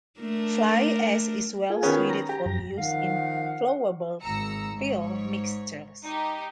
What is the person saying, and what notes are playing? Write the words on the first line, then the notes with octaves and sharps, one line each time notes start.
Fly ash is well suited for use in flowable fill mixtures.
A3 D4 A#4
F4 G#4
D#3 B3 C#4
A#5
G4
F#2 A#5
D#3 F3 F5 F#5
G#1 G#2 A#5 E6 C#7
G#2 C#5
D#4 G4